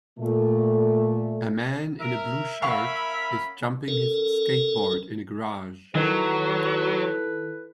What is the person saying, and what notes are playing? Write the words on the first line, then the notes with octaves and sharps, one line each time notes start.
A man in a blue shirt is jumping his skateboard in a garage.
A#2 A3
A#4 E5
C#4 A#4 F5 F#5 B5 C#6
C#4 A4 A#4
D#3 F#3 E4 A4 B4